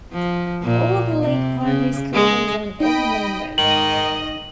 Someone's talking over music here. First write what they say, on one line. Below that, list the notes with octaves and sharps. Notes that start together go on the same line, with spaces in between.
Old Leake Primary School is on Old Main Road.
F3
A#2
C3
C#3
G#3
D#4 D#5 G5 B5
G#2 D#3 D#5 F#7